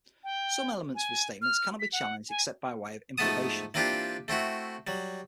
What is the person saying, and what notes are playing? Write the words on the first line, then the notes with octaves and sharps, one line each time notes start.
Some elements of his statements cannot be challenged except by way of improbation.
G5
G#5
F6
B6
F#5
G#5
G#2 F3 A3 B3 A5 D#6
E3 A#3 C4 D4 F4 G4
A3 C4 E4 F#4
F#3 G3